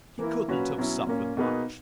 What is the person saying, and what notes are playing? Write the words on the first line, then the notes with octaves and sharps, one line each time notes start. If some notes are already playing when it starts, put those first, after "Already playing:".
He couldn't have suffered much.'
E3 A#3 E4
A#2 F#3 C#4 F#4 B4
B2 F#3 C#4 E4
A#2 A#3 C#4
B2 A#3 D#4 G#4 B4